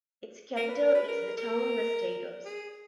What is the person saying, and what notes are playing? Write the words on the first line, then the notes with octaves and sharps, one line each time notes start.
Its capital is the town Mosteiros.
A#4
B4
A#4
B4
A#4
A#4
G#4